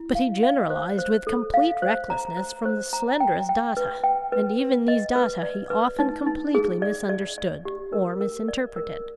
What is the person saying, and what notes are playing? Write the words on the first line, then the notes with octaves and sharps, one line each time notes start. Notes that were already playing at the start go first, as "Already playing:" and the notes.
But he generalized with complete recklessness from the slenderest data; and even these data he often completely misunderstood or misinterpreted.
Already playing: E4
F5
F5
C5
C5
A4
F5
C5
A#5
C5
C5
A#5
G5
G5
B4
G5
B4
B4
D#5
B4
D5
B4
D#4
D#4
G#4
D5
D5
D5
G4
A#4
A#4
D5
A#4